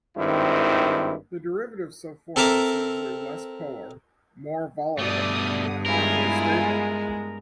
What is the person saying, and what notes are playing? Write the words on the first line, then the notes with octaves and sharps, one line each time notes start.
The derivative so formed is usually less polar, more volatile and more thermally stable.
G#1 G2 D#3 C4 E4
C4 A4 A#4 E5 A#5 D6
G2 B2 A3 B3 D5 D#6
G#3 E4 F4 A#4 G#5